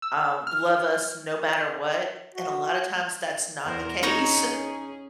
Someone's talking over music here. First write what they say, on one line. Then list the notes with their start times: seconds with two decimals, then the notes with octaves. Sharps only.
um, love us no matter what, and a lotta times that's not the case.
0.02 E6
0.47 F6
2.35 F#4
3.66 E2 A#4 C5
4.03 C#4 D#4 G#4 C#5 A#5